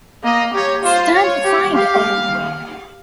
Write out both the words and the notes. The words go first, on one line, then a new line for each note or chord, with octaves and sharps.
Stand aside, then.
A#3 D#5
G4 C#5
F4 C5
C#5
G4
G4 F5